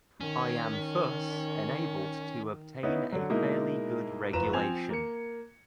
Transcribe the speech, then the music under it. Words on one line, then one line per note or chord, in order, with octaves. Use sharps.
I am thus enabled to obtain a fairly good regulation.
D#3 C#4
B3 C#4 D#4 E4 B4
D3 F#3
B2 G#3 A#3 D#4 E4
F#1 F3 B4 A#5 E7
F3 C4 G#5 G#6 F7
A#3 C#7